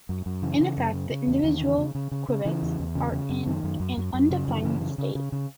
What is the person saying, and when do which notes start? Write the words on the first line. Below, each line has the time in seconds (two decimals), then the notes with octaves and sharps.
In effect, the individual qubits are in an undefined state.
0.09 F#2
0.26 F#2
0.42 C#3 E3
0.60 C#3
0.77 F#2
0.93 C#3
1.10 C#3
1.27 E2
1.44 E2 D#3
1.61 C#3
1.78 C#3
1.95 C#3
2.12 C#3
2.29 C#3
2.45 C#3 E3
2.62 E2
2.80 E2
2.95 C#3
3.12 C#3
3.29 F#2
3.46 F#2 D#3
3.63 F#2
3.80 F#2
3.97 F#2
4.14 F#2
4.31 C#3
4.48 F#2 E3
4.55 D#3
4.62 C#3 E3
4.82 C#3
4.98 C#3
5.15 C#3
5.32 C#3